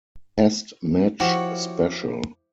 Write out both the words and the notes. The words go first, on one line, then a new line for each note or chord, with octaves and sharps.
"Test Match Special".
F3 E4 F#4 G4 C#5